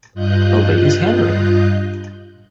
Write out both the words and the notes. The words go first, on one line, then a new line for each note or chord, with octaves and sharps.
A lady’s handwriting!
G2 F4 D#5 F#6 G6